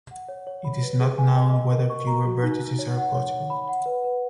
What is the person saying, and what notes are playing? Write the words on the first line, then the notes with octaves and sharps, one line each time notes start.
It is not known whether fewer vertices are possible.
F#5
C#5
C#5
B5
B4
G#4
G#5
D#5
D#5
A#4
C#6
A#5
F#4
D#4
D#4
C#5
F#5
C#5
C#5
B5
F#5
B4
B4